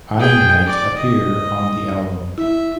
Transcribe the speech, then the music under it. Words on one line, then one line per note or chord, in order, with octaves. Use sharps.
Einheit appear on the album.
G#4 G5
D5
D#5
E4 E5